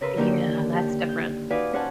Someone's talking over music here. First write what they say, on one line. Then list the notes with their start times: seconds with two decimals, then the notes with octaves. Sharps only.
Yeah, that's different.
0.01 C#3 A#4 B4 E5 C6
0.17 D3 D#3 A#3 C#4 G4
0.74 G4
1.09 G6
1.50 D#4 F#4 B4 D5 F5 G#5
1.73 C#4 C5 C#5 F#5 G#5 A5